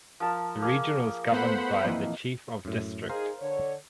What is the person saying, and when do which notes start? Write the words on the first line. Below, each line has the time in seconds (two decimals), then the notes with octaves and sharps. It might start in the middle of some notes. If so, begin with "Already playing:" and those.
The region was governed by the Chief of District.
0.20 F3 A#4 A5
0.62 A#3 G#4
1.32 A3 B3 C5 F#5 B5
1.84 F2 A#2 E3 D#5
2.65 F#2 A2
3.09 D#4 G#4 A#4 C5 F5
3.40 D3 C#5